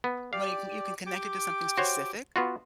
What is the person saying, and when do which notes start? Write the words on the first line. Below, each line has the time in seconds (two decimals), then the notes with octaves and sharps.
when you can you can connect it to something specific,
0.04 B3
0.33 G4 D5 F5
1.07 G4 G5 D6
1.78 F#4 C5 C#5
2.36 B3 F4 F#4